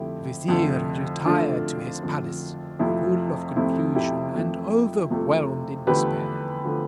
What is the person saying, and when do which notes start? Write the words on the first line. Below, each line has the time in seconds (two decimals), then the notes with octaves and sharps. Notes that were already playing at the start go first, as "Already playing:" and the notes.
The vizier retired to his palace full of confusion, and overwhelmed in despair.
Already playing: F2 D3 A3 E4 G4
0.48 F2 D3 A3
1.25 F2 D3 A3 D4 F4
2.02 F2 D3 A3
2.79 F2 C3 F3 A3 E4
3.56 F2 C3 F3 A3 E4
3.95 E4 G4
4.33 F2 C3 F3 A3
5.10 F2 C3 F3 A3
5.87 E2 D3 F3 A3 G4 B4
6.64 D3 F3 A3